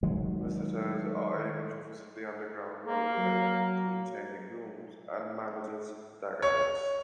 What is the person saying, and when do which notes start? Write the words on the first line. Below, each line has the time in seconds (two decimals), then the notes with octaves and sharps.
Visitors are able to visit the underground roadway, team changing rooms and managers dugouts.
0.03 D#3 F#3 G#3
2.87 A#3
3.18 F#3
6.42 C#5